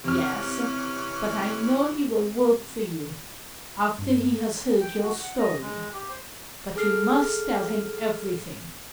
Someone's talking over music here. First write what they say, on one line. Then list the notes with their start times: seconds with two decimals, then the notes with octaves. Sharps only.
"Yes, but I know he will work for you--after he has heard your story. But you must tell him everything."
0.04 C3 E3 C#4 F6
3.98 G2
4.81 G5
5.03 F#4
5.20 F#5
5.38 D#5
5.61 G#3
5.94 G4
6.09 C5
6.76 G#4 A4 F6 C7